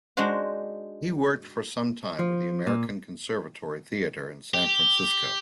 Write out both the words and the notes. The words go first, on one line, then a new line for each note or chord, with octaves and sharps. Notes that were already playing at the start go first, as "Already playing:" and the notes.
He worked for some time with the American Conservatory Theater in San Francisco.
G#3 D4 D#4 F#4 C5 F#5
F3
A#2
G4